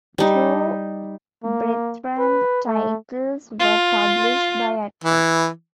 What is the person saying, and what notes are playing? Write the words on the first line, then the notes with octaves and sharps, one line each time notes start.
Two brethren titles were published by Atlas.
G3 D#4
A#3
B4
A3
F4
E3